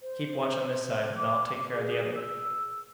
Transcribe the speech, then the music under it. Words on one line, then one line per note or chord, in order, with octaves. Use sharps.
"Keep watch on this side, and I'll take care of the other."
C5
D6
G#4
E6